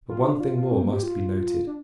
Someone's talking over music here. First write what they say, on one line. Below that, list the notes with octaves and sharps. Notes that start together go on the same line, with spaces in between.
But one thing more must be noted.
F4
D4
F4
F4
C4
A#3
G4
F4
D4